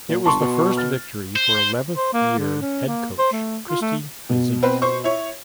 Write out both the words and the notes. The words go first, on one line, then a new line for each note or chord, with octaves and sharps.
It was the first victory for eleventh year head coach Kristi Huizenga.
A#2
G1 A5 C6 C#6
B2
F6 A6
C5
C5
A#3
D3
C#4
A#3
C5
A3
F4
A3
B2
C4 B4
C5 C#6
E4 C#5